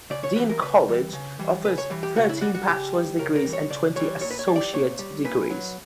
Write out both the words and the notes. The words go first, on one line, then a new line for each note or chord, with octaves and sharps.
Dean College offers thirteen bachelor's degrees and twenty associate degrees.
C#3 D5
C#5
E3 G3 B4
A#4
C#3 B4
E3 G3
C#3
E3 G3
C#3 B4
C#5
E3 G3
G4
C#3 F#4
E4
G3 F#4
F#4
C#3 G4
G3
C#3 A#4
A#4
E3 G3
C#5
C#3 D5
E3 G3 C#5
A#2 C#5
B4
C#5
G3
D5
A#2 C#5
G3
A#2 B4
F#3